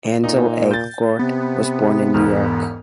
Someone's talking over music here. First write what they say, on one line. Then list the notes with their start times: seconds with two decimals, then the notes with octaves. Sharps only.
Ansel Elgort was born in New York.
0.24 A#2 D#4
0.71 G6 A6
1.19 C3 B3
2.14 E1 G#2 F6